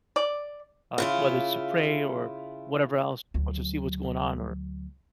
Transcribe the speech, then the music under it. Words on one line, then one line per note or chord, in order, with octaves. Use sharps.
like, whether it's to pray or whatever else or to see what's going on or
D5
C#3 E4 F4
D2 F#3